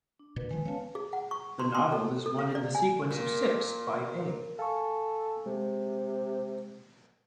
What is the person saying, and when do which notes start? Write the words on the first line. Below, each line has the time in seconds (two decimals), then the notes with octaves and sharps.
The novel is one in the sequence of six by A.
0.19 D4
0.36 A#2 B4
0.51 D#3 F3 G#3 B4
0.66 B3 C#4 C#5 F5 A5
0.95 G#4
1.13 F#5
1.31 C#6
1.59 C6
1.75 C6
1.92 A4
2.26 A4
2.39 F5
2.55 D5
2.75 G#5
3.11 A#2
4.59 A4 F5 G#5 C#6
5.46 C3 G#3